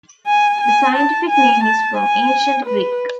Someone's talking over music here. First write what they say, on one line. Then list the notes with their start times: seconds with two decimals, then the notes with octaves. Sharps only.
The scientific name is from Ancient Greek.
0.27 G#5
0.61 G#5
0.95 A5
1.29 G#5
1.63 A5
1.98 G#5
2.65 B4